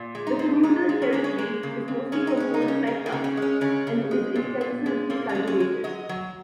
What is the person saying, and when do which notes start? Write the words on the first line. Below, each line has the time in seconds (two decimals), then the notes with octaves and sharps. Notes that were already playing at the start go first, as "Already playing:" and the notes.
The communal territory is mostly composed by tuff, and is intensively cultivated.
Already playing: A#2
0.15 G#3
0.27 D#4
0.39 A#2
0.63 G#3 D#4
0.89 G#3
1.02 C#4
1.13 G#3 A#3
1.24 C#4
1.38 G#3 A#3
1.63 C#3
1.88 C#3
2.12 G#3 C#4
2.27 D#4
2.37 G#3 C#4
2.54 D#4
2.62 C#3
2.68 C#4
2.87 C#3 D#4
3.06 A#3
3.12 C#3
3.24 C#4
3.37 G#3 C#4
3.61 C#3 C#4
3.87 C#3
4.11 G#3
4.36 A#2
4.61 A#2
4.86 G#3
5.10 A#2 A#3
5.29 C#4
5.35 G#3
5.47 C#4
5.60 G#3
5.84 F#3 D#5
6.09 F#3